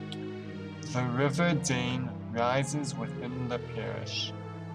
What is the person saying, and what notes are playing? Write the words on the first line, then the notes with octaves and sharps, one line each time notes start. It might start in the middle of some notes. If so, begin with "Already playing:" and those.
The River Dane rises within the parish.
Already playing: G#2 D#3 F#4
G2 D#3 A#4
F2 D3 F3
G2 E3
D#2 C#3 F3 G#4
E2 B2 A4
A#4
G#2 E3 A4